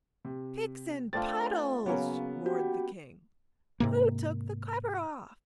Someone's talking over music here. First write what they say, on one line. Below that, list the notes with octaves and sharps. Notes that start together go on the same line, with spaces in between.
"Picks and puddles!" roared the King; "who took the cover off?"
C3
A3 C4 D4 F4 A6
C#3 F#3 A#3 B3 C#4
F#4 G4
G#2 C3 A#3